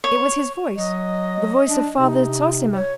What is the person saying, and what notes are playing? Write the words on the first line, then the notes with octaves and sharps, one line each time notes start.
It was his voice, the voice of Father Zossima.
C#5
F#3 D#5
D4
C3 D#4
C#5